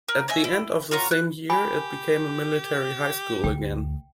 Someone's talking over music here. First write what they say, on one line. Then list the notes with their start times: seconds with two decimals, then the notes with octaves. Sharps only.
At the end of the same year, it became a military high school again.
0.08 A#4
0.28 C#5 D#5 E5 G#5
0.44 E4
0.91 F4 F#4 C#5 A#5
1.11 F#6
1.50 G4 G#5 B5
3.44 D2 G5